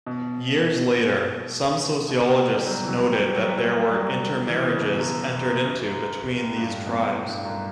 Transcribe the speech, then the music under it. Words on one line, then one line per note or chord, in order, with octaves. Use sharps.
Years later, some sociologists noted that there were inter-marriages entered into between these tribes.
B2
B2
C#3
G3
G3
F#3
E3
F#3
G3
F#3
G3
F#3
G3
F#3
E3
C#3
B2
F#2
A2
G2
A2
B2
A2
G2
F#2